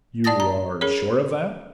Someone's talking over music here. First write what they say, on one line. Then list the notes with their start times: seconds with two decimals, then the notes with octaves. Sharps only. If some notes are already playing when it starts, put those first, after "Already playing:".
"You are sure of that?"
0.24 D5 A5 D#6 A6 A#6
0.40 A#5
0.81 C#4 G#4 A#4 C#5